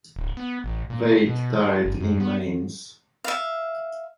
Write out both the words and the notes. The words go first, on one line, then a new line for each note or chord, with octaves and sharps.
Veit died in Mainz.
D1
B3
A1
A#2
B2
F#3
G1
F#2
B3
E5 F5